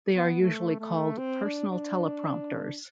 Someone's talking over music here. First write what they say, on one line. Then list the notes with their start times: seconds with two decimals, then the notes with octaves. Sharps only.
They are usually called personal teleprompters.
0.15 B3
0.41 A3
0.79 A3
1.18 C4
1.44 D4
1.70 D4